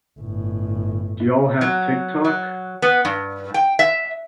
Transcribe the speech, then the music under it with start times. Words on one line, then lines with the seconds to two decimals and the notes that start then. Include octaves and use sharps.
Do y'all have TikTok?
0.19 G1 A2
1.61 F#3
2.25 F#3
2.82 B3
3.05 G2
3.54 G5
3.79 E5